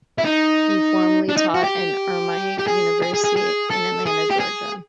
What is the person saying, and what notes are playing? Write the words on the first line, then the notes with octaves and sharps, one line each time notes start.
He formerly taught at Emory University in Atlanta, Georgia.
E4
D#4
D4
D#4
F#4
G4
G4
G#4
G#4
G#4
G#4
G#4
A4
G#4
G4
G#4